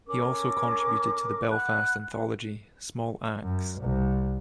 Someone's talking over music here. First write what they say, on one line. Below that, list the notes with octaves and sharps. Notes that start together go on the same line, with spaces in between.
He also contributed to the Belfast anthology "Small Axe".
C#4 A4 A#4 D6
F#5 B5 F#6
F#2
C2